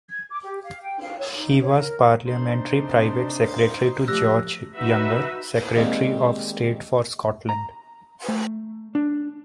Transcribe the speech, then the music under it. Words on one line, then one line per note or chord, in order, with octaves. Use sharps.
He was Parliamentary Private Secretary to George Younger, Secretary of State for Scotland.
G#6
D6
G4
F5
G5
F5
C#5
D#4
C#5
A#4
C3 D4 D#4 C5 C6
F3 A3 G4 D5 E6 F#6 A#6
D#4 F#4 B4 E5
D#3 G3 G#3 A#3 C4 D#4
A#5
A3
D4